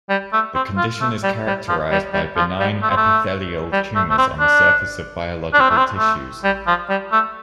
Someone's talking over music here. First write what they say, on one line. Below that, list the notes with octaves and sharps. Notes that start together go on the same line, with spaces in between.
The condition is characterized by benign epithelial tumours on the surface of biological tissues.
G3
A3
C4
F4
A3
G3
G3
F3
G3
G3
F3
G3
A3
C4
A3
G3
A3
A3
C4
D4
D4
C4
A3
C4
A3
G3
F3
G3
A3